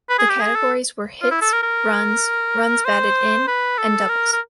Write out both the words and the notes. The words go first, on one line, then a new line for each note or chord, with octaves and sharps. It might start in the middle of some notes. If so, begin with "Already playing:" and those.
These categories were hits, runs, runs batted in, and doubles.
B4
G#4
G4
G#4
A4
F4
E4
A4
A#4
A#4
C5
B4
A4
A#4
A#4